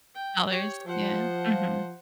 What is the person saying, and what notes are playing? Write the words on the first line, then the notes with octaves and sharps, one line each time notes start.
dollars, yeah, mhm.
G5
G4 C#5
F3 C5 F#5